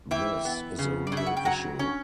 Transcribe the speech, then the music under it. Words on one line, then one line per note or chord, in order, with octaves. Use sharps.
This is a real issue.
E3 E5 G5
B3
C#3
D5
C#3
E5
F#5
G5
F#3 F#5 A#5
C#4